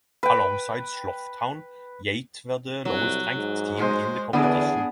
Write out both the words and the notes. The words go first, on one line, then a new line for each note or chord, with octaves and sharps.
Alongside Slough Town, Yate were the lowest ranked team in the competition.
B4 G5
C2 F#3
G#2
G#3 C5
E2 D3 B3 D4 G#4